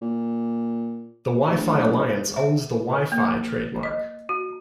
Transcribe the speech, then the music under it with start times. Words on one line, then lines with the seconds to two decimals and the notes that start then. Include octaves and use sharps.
The Wi-Fi Alliance owns the "Wi-Fi" trademark.
0.02 A#2
1.51 D1
2.36 E5
3.12 A#3
3.83 D#5
4.29 F#4